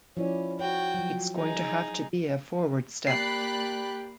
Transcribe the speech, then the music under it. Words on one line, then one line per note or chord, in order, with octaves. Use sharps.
It's going to have to be a forward step.
F3 C#4 E4 D5
F#4 C#5 G5
F3 F#3
D#4 G#4
A#3 G4 D5 B5 F#6 C7